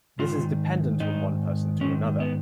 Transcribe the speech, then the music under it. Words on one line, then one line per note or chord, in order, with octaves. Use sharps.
This is dependent on one person to another.
G#2 D#3 F4
G#2 D#3 D#4
G#2 D#3 C#4
B3